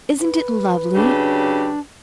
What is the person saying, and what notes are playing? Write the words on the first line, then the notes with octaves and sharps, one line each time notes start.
Isn't it lovely?
B4
C#3 F#3 D4 G4